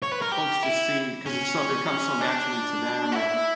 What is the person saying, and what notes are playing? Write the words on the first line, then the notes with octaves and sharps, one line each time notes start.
folks just see, 'cause it's so it comes so naturally to them or
C#5
B4
A#4
G4
E4
C#4
D4
F#4
E4